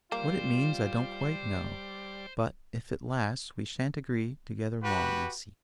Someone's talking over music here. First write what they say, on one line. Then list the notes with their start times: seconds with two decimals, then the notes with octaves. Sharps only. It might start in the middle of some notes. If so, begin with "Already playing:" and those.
'What it means I don't quite know; but, if it lasts, we shan't agree together long I see.
0.12 G3 A#3 F4 C5 D5
4.83 F#4 G4 B4